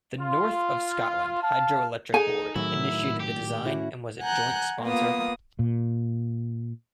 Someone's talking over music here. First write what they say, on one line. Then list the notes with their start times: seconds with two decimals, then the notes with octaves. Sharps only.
The North of Scotland Hydro-Electric Board initiated the design and was a joint sponsor.
0.21 F4
1.43 F5 A5
2.14 D#4 G#4 A4 G#5
2.56 A2 D#3 F#3 E4
3.20 G4
3.65 C#4 E4 F#4
4.22 F#5 G#5 A#5 F#6 G6
4.83 A#3 B3 F4 D#6
5.59 A#2